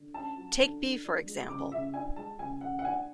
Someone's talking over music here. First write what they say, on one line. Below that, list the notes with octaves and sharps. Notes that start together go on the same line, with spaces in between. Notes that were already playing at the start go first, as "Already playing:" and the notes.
Take B for example.
Already playing: D3
C#4 A5
F#3
D3
D3
D4
G#3
C#3 D6
C#3 E5
D4 G#5
G#3 A5
C#3 G#5
C#3 F#5
F#5
D4 G#5